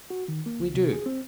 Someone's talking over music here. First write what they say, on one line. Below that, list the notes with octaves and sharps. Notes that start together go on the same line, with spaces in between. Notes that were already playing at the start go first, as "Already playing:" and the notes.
"We do."
F#4
D#3
A#3
C#2
C3
G#4
C4